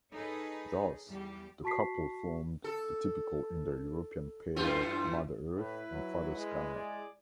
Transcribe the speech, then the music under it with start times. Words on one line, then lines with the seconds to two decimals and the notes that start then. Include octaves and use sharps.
Thus the couple formed the typical Indo-European pair of mother-earth and father-sky.
0.13 D#4 G#4 A4 B4 C#5
1.08 E2 G3 G4
1.64 F#4 A5 C#6 B6 C7
2.64 A4
4.56 F#2 E3 F4
5.55 A2 E4 B4
5.92 F#3
6.36 G#3
6.73 E4 G#4 D5